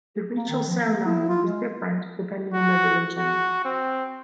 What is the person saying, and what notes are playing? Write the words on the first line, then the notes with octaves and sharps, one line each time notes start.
The ritual ceremony is different depending on their religion.
A#3
D#3
F3
A#3
A#3
E4
F4
G#3
F#4
F#4
C4